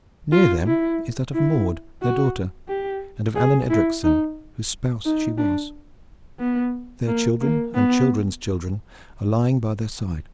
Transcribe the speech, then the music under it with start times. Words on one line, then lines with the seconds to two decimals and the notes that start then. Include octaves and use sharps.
Near them is that of Maude their daughter, and of Alleyne Edricson, whose spouse she was; their children and children's children are lying by their side.
0.32 F4
0.66 E4
1.33 E4
2.02 F#4
2.69 G4
3.36 G#4
3.69 E4
4.04 D#4
5.05 D#4
5.38 D4
6.39 B3
7.07 A#3
7.41 A#3
7.75 B3